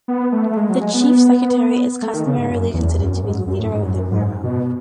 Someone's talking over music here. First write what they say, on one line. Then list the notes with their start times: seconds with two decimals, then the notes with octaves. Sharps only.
The Chief Secretary is customarily considered to be the leader of the bureaux.
0.08 B3
0.32 A3
0.51 A3
0.57 G#3
0.69 F#3
0.81 G#3
0.94 B3
2.02 A3
2.14 D#3
2.26 C#3
2.38 G#2
2.50 F#2
2.74 E2
2.99 F#2
3.11 F#2
3.23 G#2
3.47 F#2
3.59 A2
3.71 G#2
3.82 F#2
3.95 F#2
4.12 G#2
4.43 B2